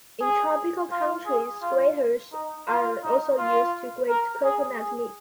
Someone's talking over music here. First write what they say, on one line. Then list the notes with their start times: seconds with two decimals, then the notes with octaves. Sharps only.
In tropical countries graters are also used to grate coconut meat.
0.21 G#4
0.91 F4
1.26 G#4
1.63 F4
2.33 D#4
2.69 F4
3.04 D#4
3.39 F4
4.09 A#4
4.44 G#4
4.81 G#4